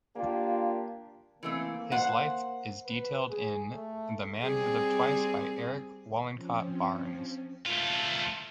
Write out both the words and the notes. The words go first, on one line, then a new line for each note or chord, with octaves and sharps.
His life is detailed in "The Man Who Lived Twice" by Eric Wollencott Barnes.
A#3 D4 F4 G4
E3 A3 A#3 C4
C5 F#5
B4
G#4
A3
G3 C4 G#4
F3 C4 C#4
A3 F4